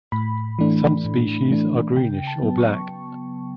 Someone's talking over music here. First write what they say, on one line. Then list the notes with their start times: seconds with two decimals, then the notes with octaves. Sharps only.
Some species are greenish or black.
0.12 A2 B5
0.59 E3 A3 D4
1.05 A2
1.51 E3 A3 D4
1.97 C#3 G5
2.27 A5
2.42 F#3 B3
2.58 C#6